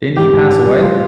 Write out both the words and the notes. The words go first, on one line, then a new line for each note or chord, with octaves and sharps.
Didn't he pass away?
G#2 G4
G#2
C#4
G3
F4